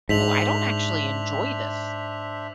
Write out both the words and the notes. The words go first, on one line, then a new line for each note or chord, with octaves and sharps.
"Oh, I don't actually enjoy this
G#2 D4 C5 E5 B6 F7 F#7